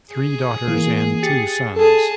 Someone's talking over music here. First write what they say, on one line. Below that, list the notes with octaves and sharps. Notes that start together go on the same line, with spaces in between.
Three daughters and two sons.
G#4
E3 A#3
G4 A6 C#7
G#4 A4 G#5 A5